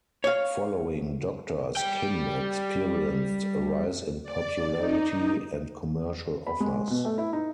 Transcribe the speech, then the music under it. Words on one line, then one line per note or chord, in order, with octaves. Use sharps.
Following "Doctors", Kim experienced a rise in popularity and commercial offers.
C#5 F5
G3 G5
D5
D#4
B5
G#3
B2
A3
E4
D#4